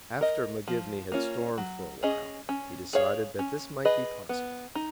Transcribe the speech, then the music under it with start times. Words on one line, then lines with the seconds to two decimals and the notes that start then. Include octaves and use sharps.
After McGivney had stormed for a while, he decided that this might be possible.
0.21 A#4 D#5
0.68 F3
1.12 A#3 C#4 F4
1.58 F#3
2.03 C#4 G#4 D#5
2.49 C#4
2.93 G#4 C#5 F5
3.39 C#4
3.85 G#4 B4 D#5
4.29 B3
4.75 D#4